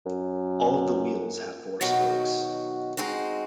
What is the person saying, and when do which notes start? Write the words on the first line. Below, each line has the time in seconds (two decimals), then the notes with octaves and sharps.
All of the wheels have four spokes.
0.06 F#2
1.81 B2 D#3 F#3 F#4
2.97 G#3 C4 D#4 F#4